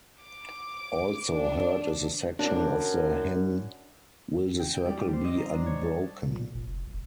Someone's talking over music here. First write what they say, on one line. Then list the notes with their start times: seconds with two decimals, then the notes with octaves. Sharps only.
Also heard is a section of the hymn "Will the Circle Be Unbroken".
0.22 D6
1.30 D4
2.39 F#2 D4
4.59 G5
4.74 G5
4.86 G3
4.97 G4
5.13 C5
5.24 D#5
5.37 A#5
5.52 D4
5.66 C#5
5.83 A5
6.25 A#2
6.55 F1
6.87 D#1